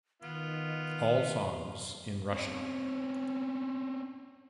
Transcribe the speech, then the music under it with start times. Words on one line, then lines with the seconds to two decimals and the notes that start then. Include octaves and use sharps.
All songs in Russian.
0.22 D#3 B3 F4
2.32 C4 C#4